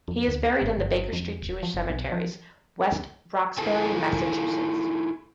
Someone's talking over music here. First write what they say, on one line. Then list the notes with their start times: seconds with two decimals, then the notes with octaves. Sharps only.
He is buried in the Baker Street Jewish Cemeteries, West Roxbury, Massachusetts.
0.08 F2
0.27 D2
0.61 G#1
0.77 G1
1.13 F2
1.42 D#1
1.63 F3
1.74 F#1
1.90 B1
2.12 F3
3.58 E4 F4 G#4 A4 G#5 A5